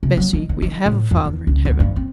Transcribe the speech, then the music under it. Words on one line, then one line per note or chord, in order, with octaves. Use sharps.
'Bessy--we have a Father in Heaven.'
C3
F#3
D#3
D#3
D#3
A2
F2
E2
C#2
D2
G2
C4